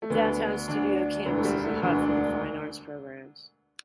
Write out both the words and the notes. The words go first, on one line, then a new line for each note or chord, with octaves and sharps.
The Downtown Studio Campus is a hub for the fine arts programs.
A3
D2 D3 B3
D2 D3 D4
E1 D2 D3 B3
A3
G3
A3
E1 D2 D3 B3
D4